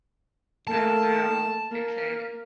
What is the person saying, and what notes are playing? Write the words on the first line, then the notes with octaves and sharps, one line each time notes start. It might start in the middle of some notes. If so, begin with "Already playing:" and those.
I don't know. It could
A3 A#3 A5
A#3